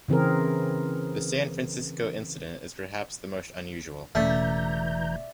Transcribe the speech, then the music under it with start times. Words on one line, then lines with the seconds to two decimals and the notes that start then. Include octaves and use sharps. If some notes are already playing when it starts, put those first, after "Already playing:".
The San Francisco incident is perhaps the most unusual.
0.08 C#3 E3 C4 G#4 A#4
4.15 E1 C#3 E3 A3 D5 E5 A#5 G6